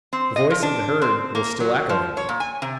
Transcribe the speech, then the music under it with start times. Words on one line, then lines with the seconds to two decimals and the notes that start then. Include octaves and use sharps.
The voice of the herd will still echo in thee.
0.13 C4
0.36 D#5
0.50 F3
0.63 D4
1.02 C4
1.35 A#3
1.60 F#3
1.89 F3
2.17 C#5
2.29 A#2
2.40 G#5
2.62 C3